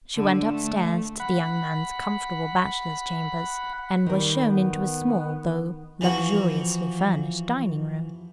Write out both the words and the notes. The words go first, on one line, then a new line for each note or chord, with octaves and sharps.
She went upstairs to the young man's comfortable bachelor's chambers, and was shown into a small, though luxuriously furnished, dining-room.
D3
A3
F#5 B5
D#3 G3 A#4
B3
E3 F3 F#4